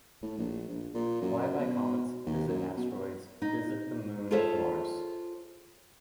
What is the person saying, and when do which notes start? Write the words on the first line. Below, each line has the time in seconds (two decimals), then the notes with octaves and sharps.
Fly by the comets, visit asteroids, visit the moon of Mars.
0.22 A2
0.38 A#1
0.69 A#1
0.95 A#2
1.22 F#2
1.59 B2
2.26 D#2
2.48 F#2
2.77 B2
3.42 D#4
4.31 F4 G#4 A4 C5 C#5 E5